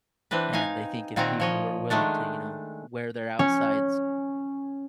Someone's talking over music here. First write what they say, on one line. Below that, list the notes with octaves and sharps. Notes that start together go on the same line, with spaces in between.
And I think if people were willing to, you know, wear their outsides
E3 C4 D4 B4
D#4 F5 G#5
A#2 D#3 C4 F#5 G#5 A#5
F3 C#5 D#5
D#3 G#3 A3 D4
C#4